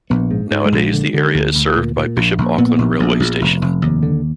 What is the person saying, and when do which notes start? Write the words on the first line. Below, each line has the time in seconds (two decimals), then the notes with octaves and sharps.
Nowadays the area is served by Bishop Auckland railway station.
0.10 A#1 B3
0.31 G#2
0.51 G#2
0.65 G#3
0.72 A#1
0.93 D3
1.14 D3
1.34 D2
1.55 D2
1.76 A#2
1.96 A#2
2.16 A#1
2.38 A#1
2.58 A#2 B3
2.78 A#1
3.00 A#1
3.20 A#1
3.41 F1
3.62 F1
3.82 D#2
4.03 D3